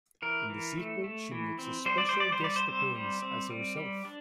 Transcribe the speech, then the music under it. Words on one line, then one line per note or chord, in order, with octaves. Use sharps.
In the sequel, she makes a special guest appearance as herself.
E3 A#4
E3
A3
A3
E3
C4
G3 C5
D5
G3 C5
D5
C5
G3 D5
C5
C4 C5
G3
C4
G3
G3
D4